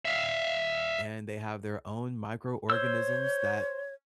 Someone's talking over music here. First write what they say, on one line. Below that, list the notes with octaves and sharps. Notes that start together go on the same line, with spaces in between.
and they have their own microorganisms that
E5 F5
C5 C#5 E6